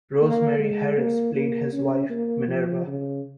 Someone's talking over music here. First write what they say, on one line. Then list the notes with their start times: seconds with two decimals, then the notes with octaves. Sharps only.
Rosemary Harris played his wife, Minerva.
0.21 A#3
0.59 G#3
0.97 A#3
1.35 A#3
1.73 C#4
2.10 A#3
2.48 F3
2.87 C#3